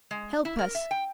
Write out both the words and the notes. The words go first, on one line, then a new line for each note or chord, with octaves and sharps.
Help us.
G#3
E4
A#4
E5
G5